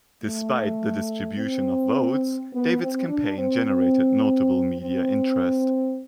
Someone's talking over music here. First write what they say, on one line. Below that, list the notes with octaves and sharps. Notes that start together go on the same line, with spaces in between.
Despite the distribution of votes, David's campaign generated notable media interest.
A3
C4
B3
C4
D4
C4
C4
C4